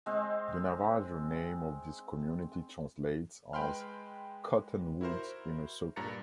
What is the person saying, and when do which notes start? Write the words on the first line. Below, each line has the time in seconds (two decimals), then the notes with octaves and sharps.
The Navajo name of this community translates as "cottonwoods in a circle".
0.06 G#3 C4
3.53 G#3 B4 G5 B5 C6 F6
5.01 E4 F#4 A#4 C5
5.96 G2 A#2 A#5 A6 C#7